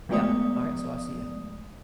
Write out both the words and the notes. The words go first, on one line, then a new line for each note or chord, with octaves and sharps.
Yep, alright, so I'll see ya,
F3 G#3 A3 B3 D5 D#6